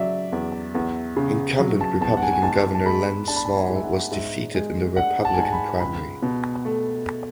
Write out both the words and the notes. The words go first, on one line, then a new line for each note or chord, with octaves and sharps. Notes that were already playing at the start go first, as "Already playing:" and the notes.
Incumbent Republican Governor Len Small was defeated in the Republican primary.
Already playing: C#3 F#3 D5 E5
E2
E2
C#3
F#3
A5
E2 A5
F#5
G#5
G#5
G#2 A5
A5
G#3 B5
D4 A5
B5
A5
G#5
G#2
E5
F#5
G#2 E5
G#3
D4 F#5
A5
G#5
G#2 A5
B5
C#2 B5
B2
A3